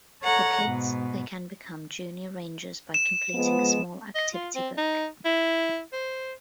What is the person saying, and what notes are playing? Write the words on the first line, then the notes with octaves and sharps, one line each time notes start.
For kids, they can become Junior Rangers by completing a small activity book.
A4 C#5 F#5 A#5
G#2 B2
E7
F3 G#3 B3
D#5
F4
C4
D#4
E4
C5